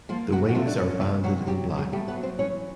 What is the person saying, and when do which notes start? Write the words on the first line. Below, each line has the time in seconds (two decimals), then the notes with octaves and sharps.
The wings are banded in black.
0.09 F3 A#3 F4
0.32 C3 F#3 F#4
0.49 F#4
0.55 F3 A3 F4
0.67 D4
0.78 C#4 D4
1.01 C3 F3 F4
1.24 C3 F#3 F#4
1.47 F#3 G3 G4
1.70 B2
1.77 G#3 G#4
1.92 G3 A3 G4
2.08 B3 B4
2.16 F#3
2.23 C4 C5
2.39 E3 C#4 C#5